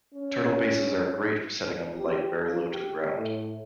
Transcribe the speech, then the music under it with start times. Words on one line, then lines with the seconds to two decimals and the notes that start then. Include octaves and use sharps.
Turtle bases are great for setting up a light very low to the ground.
0.14 C#4
1.99 G4
2.43 F3
2.72 G4
3.16 A2